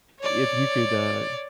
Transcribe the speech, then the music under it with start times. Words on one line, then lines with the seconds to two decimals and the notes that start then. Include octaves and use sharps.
if you could, uh,
0.20 C#5 D5